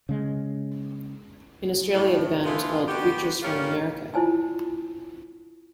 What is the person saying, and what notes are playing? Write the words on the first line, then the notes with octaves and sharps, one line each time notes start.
In Australia the band was called "Creatures From America".
C#3 G#3
A2
E3 F3 G#3 A#3 E4 F4
D3 B3 F#4 G4
G3 A3 A#3 C#4 F4 A#4
E4 F4 C5 G#5 A5